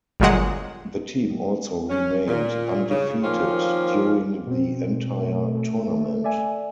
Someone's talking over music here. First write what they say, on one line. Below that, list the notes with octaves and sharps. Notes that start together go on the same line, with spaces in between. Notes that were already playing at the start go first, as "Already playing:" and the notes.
The team also remained undefeated during the entire tournament.
G1 A#2 F#3 G#3 F#5
C#4
A#2
C#3
D#3 F3 A#3 C4 C#4 F4
B2 C4
A3
D5 E5 G#5